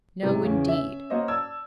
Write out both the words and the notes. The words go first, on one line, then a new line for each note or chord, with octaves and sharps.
"No, indeed."
A2 C3 F#3
E2 C#3 C#4
C#4 E5
A#3 F#4 C5 C#5 D#5
D5 A5 E6 G#6